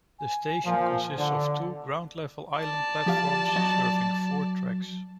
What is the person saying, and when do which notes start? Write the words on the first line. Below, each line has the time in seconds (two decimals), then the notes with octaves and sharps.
The station consists of two ground-level island platforms serving four tracks.
0.19 G#5
0.65 A#2 F3
1.18 D3 D5
2.57 D5 A5
3.06 F3 G4 F5
3.56 F#3 D#5